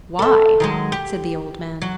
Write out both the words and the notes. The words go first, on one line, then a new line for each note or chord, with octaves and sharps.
"Why?" said the old man.
A4 E5
D#3 F#3 G#3
G4
F#3